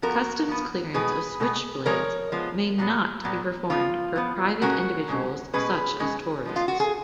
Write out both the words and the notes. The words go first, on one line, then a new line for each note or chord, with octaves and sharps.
Customs clearance of switchblades may not be performed for private individuals such as tourists.
F3 B3 F#4 A#4
F3 B3
B2 G#3 B3 G#4 B4
B2 G#3 B3
F3 G#3 A#4 C#5
F3 G#3 B3
A#2 F#3 B3
A#2 F#3 B3
F3 B3 F4
F3 B3
B2 G#3 C#4 F#4 A#4
B2 G#3 C#4
B2 G#3 C#4 G#4 B4
B2 G#3 C#4
F3 G#3 B3
F4
F#4
G#4